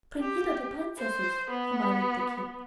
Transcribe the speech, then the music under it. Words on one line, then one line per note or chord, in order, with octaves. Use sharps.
"Bring hither the princesses," commanded the King.
G4
C5
B3